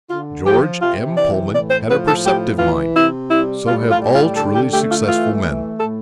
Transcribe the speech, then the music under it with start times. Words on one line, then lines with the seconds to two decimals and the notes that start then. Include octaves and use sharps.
George M. Pullman had a perceptive mind--so have all truly successful men.
0.10 D3 F4
0.45 F3 G4
0.81 C3 F4
1.16 E3 D5
1.53 A2 D5
1.70 C5
1.89 F3 B4
2.06 A4
2.23 A2 G4
2.59 E3 F4
2.95 C3 E4
3.30 G3 E4
3.66 A2 F4
3.90 F4
4.01 G3
4.14 F4
4.36 D3 A4
4.55 G4
4.72 A3 G4
4.90 F4
5.07 E3 F4
5.43 A3
5.78 A2 A4